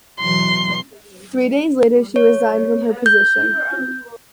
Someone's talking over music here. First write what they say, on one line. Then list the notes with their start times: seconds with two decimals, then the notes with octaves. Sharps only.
Three days later she resigned from her position.
0.20 B2 E3 F#3 C6
2.16 C#5
3.06 G6